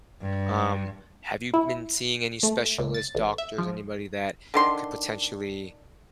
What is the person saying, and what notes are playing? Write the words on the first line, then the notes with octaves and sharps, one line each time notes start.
um, have you been seeing any specialist, doctors, anybody that could potentially,
G2
E4
A3
C#2
A6
A1
E5
F3
D3 D#3 C6